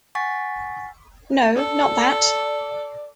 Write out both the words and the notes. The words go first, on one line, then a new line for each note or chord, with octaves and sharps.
No, not that!
F#5 G#5 C#6 A6 B6
A4 D5